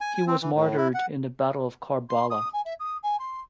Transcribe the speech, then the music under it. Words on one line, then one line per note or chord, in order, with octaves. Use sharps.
He was martyred in the Battle of Karbala.
G#5
G#5
C4
E3
A2
E4
F#5
C6
D#6
G#5
E5
D#6
G#5
C6